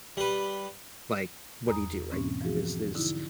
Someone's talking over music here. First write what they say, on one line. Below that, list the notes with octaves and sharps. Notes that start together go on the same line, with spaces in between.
like, what do you do, right? Th there's there's
G3 B4
E2 A#5 B5 D#6
G#2 B2 E3 A#3 C4 C#4
E3 F3 B3 F#4 G#4
D3 D#4 E4